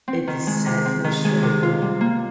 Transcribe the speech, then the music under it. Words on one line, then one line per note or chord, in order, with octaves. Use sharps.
It is set in Australia.
C4
D#3
G#3
C3
C4
D#3
G#3
C3
F4
G3
A#3